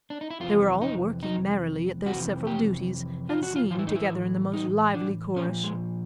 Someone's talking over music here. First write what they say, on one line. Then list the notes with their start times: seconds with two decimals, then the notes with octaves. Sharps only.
They were all working merrily at their several duties, and singing together in the most lively chorus.
0.10 D4
0.21 D#4
0.30 E4
0.40 F2 C3 E3 F4
0.81 D#4
1.23 D#4
2.05 F2 C3 E3 F#4
2.47 G4
3.29 F4
3.43 F#4
3.56 F4
3.70 E3 F4
3.74 A2 E4
3.87 D#4
3.95 E4
4.53 D#4
4.94 D4
5.36 A#2 F3 C#4
5.64 G#3